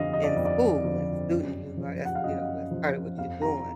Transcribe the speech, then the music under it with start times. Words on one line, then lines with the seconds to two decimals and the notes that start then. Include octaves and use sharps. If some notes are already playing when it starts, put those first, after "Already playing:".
in school. And as a student, you are that's, you know, that's part of what you're doing.
Already playing: F2 D3 F3 D#5 F5
0.13 D#5
0.24 D5
0.36 F2
0.45 D5
0.84 D3 F3
1.31 F#2
1.77 F3
2.05 F#5
2.15 F5
2.24 F#2 D#5
2.71 F3
3.17 F2 F5
3.42 A#5